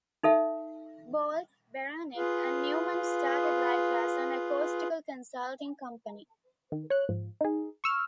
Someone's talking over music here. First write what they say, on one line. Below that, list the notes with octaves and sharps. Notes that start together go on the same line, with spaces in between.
Bolt, Beranek and Newman started life as an acoustical consulting company.
D#4 A4 E5
F4 G#4 B4 F5
D#3
C#5 F#6
G#2 F3
D#4 G#4
C#6 E6 F6